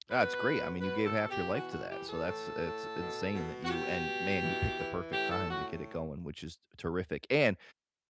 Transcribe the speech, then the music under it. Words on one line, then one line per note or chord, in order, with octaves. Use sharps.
That's great, I mean, you gave half your life to that, so that's it's insane that you and, man, you picked the perfect time to get it going, which is t terrific and,
B2 B4
B2
B2 B4
A4
B2
G4
E3 F#4
F#4
E3 G4
A4
A2
A2
B2
B2
F#4
B2 G4
B2
E3
E3
A2 G4
A4
A2 F#4